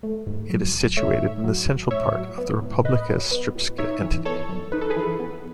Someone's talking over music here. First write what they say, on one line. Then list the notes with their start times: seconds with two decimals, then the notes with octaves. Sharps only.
It is situated in the central part of the Republika Srpska entity.
0.03 A3
0.27 G#2
0.50 F#3
0.73 A1
0.97 A3 C#5 E5
1.20 G#2
1.44 F#3
1.68 A1
1.91 A2 C#5 E5
2.14 F#3
2.38 B3
2.62 A2
2.84 A2 B4 D#5
3.09 F#3
3.31 B3
3.55 A2
3.78 D#4 C#5 E5
4.02 E3
4.25 B3 A4 C#5
4.49 F#2
4.72 D#4 B4
4.81 A4
4.90 G#4 B4
4.96 E3
5.19 B3